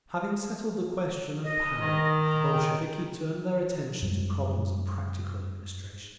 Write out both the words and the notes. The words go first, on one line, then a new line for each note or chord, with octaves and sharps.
Having settled the question of power, the Bolsheviki turned their attention to problems of practical administration.
D#5
D#3
A#5
G5
F#2 G3 G#3